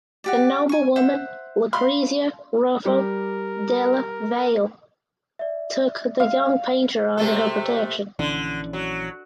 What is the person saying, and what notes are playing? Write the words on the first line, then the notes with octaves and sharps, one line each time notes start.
The noblewoman Lucrezia Ruffo Della Valle took the young painter under her protection.
F#4 G4 D5
G#5 C#6
C5 E5 F#5
F5 B5 C6
G3 G4 A#4
D5 E5
F5
C3 A3 A4
A#1 D3 E3 C#4
F#3